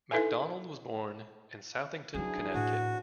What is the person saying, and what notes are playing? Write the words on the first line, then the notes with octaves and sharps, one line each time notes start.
MacDonald was born in Southington, Connecticut.
D#4 E4 A4 B4 E5 G#5
D3 E3 F#3 D4 D#4 G#4
A2 D4 F#4 C#5 A5